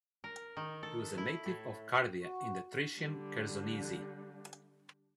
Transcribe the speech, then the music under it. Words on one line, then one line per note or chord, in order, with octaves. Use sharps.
He was a native of Cardia in the Thracian Chersonese.
A#4
D#3
A4
E4
A2
F#4
D3 G3